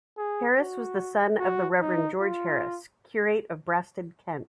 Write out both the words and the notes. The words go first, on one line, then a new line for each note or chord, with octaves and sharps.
Harris was the son of the Reverend George Harris, curate of Brasted, Kent.
G#4
F#4
F#4
D#4
F4